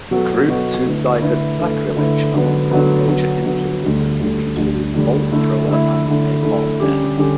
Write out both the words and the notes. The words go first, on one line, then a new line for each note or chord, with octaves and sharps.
Groups who cited Sacrilege among their major influences include Bolt Thrower and Napalm Death.
B2 F#3 B3 F#4 A4
B2 F#3 B3 F#4 A4
D3 A3 E4 B4
D3 A3 E4 B4
D3 A3 E4 B4
D3 A3 E4 B4
D3 F#3 B3
D3 F#3 B3
D3 F#3 B3
D3 F#3 B3
D2 D3 G3
D2 D3 G3
D2 D3 G3
D2 D3 G3
D3 A3 E4
D3 A3 E4
D3 A3 E4
D3 A3 E4
D3 G3 C#4 G4
D3 G3 C#4 G4